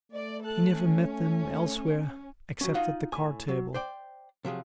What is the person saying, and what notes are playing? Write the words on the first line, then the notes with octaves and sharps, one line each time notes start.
He never met them elsewhere except at the card-table.
A3 D5
A4 A5 F#6
C#4
F#3 C#4
D#4 F4 D#5 F5 F#5
A2 G#5
F#3
C5 D5 G5
C3 F3 F#3 G#4